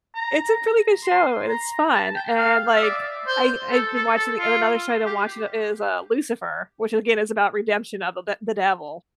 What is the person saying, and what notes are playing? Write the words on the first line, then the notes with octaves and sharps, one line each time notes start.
it's a really good show, and it's fun, and, like, I I've been watching and another show I've been watching is, uh, Lucifer, which again is about redemption of the d the devil.
A#5
C6
A#5
A5
G5
F5
E5
D5
C5
A4
A4
A4
F4
G4